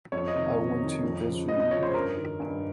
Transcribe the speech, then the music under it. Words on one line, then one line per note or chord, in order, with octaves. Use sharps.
I went to the zoo.
F2 C#5
D#5
C3 D#3
F2
C3 D#3
F2
C#3 F3
F2 D#5
D#5
C#3 F3 C#5
C5
G2 A#4
D#3
G2